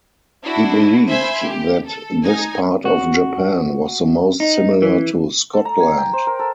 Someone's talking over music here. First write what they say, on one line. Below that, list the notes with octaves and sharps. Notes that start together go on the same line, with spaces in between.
He believed that this part of Japan was the most similar to Scotland.
D4 E4 F#4
C5 E5 G#5 B5 C6
G4
A4
D#4 G#5
F#4
D#4
E3
A4
A#5
G#5
G5
C5
A#4
A4